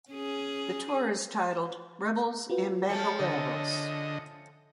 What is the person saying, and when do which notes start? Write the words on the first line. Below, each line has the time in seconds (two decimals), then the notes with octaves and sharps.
The tour is titled "Rebels and Bandoleros".
0.11 C#4 G#4
2.50 F4 F#4 B4
2.89 F3 A3 C#4 C#7
3.20 D3 D#5